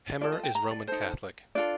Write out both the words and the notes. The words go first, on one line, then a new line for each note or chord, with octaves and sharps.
Hemmer is Roman Catholic.
F4 A4 D5
D#5
G5
A#5
D5
D#4 A4 C5
D4 F4 A4 D5